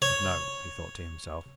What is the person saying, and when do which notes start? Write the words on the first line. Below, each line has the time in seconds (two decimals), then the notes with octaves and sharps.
'But no,' he thought to himself.
0.02 C#5